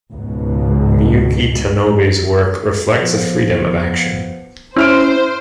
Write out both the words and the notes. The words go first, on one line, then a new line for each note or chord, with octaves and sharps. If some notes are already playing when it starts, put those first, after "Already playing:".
Miyuki Tanobe's work reflects a freedom of action.
C#2 G#2 B2
F3 B3
C#4 E4 C5 F6 D7